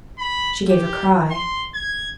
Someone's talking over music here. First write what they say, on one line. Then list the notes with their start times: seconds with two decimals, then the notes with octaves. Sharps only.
She gave a cry.
0.19 B5
0.70 G4
1.31 C6
1.74 G#6